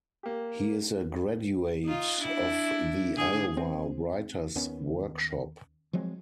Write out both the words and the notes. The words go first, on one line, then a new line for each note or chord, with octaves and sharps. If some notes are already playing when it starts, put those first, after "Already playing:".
He is a graduate of the Iowa Writers Workshop.
A#3 G4
D#4 F4
D4 E4
A2 D3 G#4
C4
D#2 D#3 B3 C#4
F3 F#3 G#3 C4